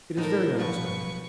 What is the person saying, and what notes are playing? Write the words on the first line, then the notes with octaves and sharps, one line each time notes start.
It is very unexpected.
A2 D#4 A4 A#4
B1 F3 G3 B4 C#6